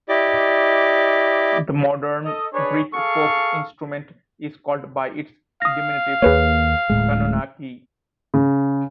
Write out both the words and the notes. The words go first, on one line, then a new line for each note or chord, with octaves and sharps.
The modern Greek folk instrument is called by its diminutive, "kanonaki".
E4 G4 D5 D#5 D6
A4 D#5
D4 G#4 B4 C#5
G#4 A4 F5 A5 C#6
F5 D#6 A#6
D#2 A#3 G#4 B4 C#5
D1 A2 G#3
C#3